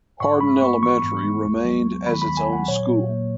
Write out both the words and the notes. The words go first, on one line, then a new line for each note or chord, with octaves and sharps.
Hardin Elementary remained as its own school.
G#2 C#6
G#3 B5
B3 C#6
E3 C#6
G#2
G#3
D#2
F#3
B3
D#3 B5
B5
D#2
G#5
F#3
F#5
A#2 C#5
A#2
A#3